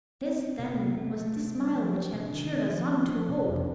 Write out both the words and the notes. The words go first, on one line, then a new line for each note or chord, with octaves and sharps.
This, then, was the smile which had cheered us on to hope!
C4
C4
C3
C3
A3
A3
D4
G3
F3
D4
C3
D#3
C4
F3
F3
F3
C3
F2